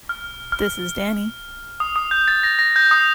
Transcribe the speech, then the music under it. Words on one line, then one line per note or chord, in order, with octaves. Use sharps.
This is Danny.
F6
F6
D#6
D#6
G6
A6
A#6
A#6
G6
D#6